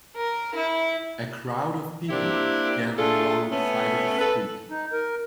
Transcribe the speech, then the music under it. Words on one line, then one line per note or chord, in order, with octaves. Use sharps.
A crowd of people gather along the side of a street.
A#4
E4
A#3 C4 D4 E4 G4
A3 D4 F4 G#4 A4
A3 B3 C#4
A4 B4
D#4
A#4